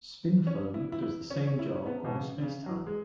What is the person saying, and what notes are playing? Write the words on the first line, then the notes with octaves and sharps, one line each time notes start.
Spin foam does the same job on spacetime.
C#4
E4
E4
E4
C#4
C#4
E4
C#4
B3
B2
C#3
C#3
F#3
E3
G#3